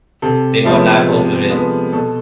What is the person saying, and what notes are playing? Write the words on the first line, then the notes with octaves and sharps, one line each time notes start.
They all laugh over it.
C3 A4
F3 G#3 B3
C3
F3 G#3 B3
B2 A4